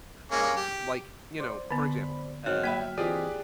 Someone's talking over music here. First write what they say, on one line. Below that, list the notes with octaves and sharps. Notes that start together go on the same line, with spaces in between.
Um, like, you know, for example, uh
G#3 A#3 C#4
G4
C5 D5
D3 B3 B5
D#3 F#3 C4 C#5 F6 F#6
F#3 A#3 E5 G5 B5 B6
E3 C4 F4 G4 G#4 D5 D#5